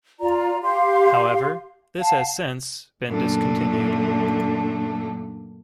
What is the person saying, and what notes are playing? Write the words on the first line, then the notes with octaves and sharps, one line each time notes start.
However, this has since been discontinued.
F4 D5 A#5
G4 F5 C6
F5 F#5 A5
F#2 A#2 D3 A3 D4